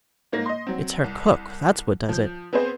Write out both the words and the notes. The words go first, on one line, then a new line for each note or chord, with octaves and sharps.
It's her cook, that's what does it.
G#2 A#3 A#6
D#5 C6
F#3 C4
C2
F3 G6
B3 C4 G#4 B4 C5